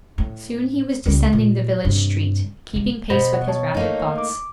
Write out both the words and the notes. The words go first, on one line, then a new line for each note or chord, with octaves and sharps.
Soon he was descending the village street, keeping pace with his rapid thoughts.
A2
C#2 G3
A#2
G2 C3
G#2 C3
B2 C5 B5 A#6
F#5
C#5 A5 C#6
A3 A#3 D#4
D6